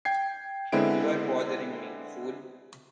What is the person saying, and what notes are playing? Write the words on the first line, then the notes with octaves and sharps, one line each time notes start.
You are bothering me, fool! ...
G5 G#6 C7
D3 G#3 B3 C4 E4 D7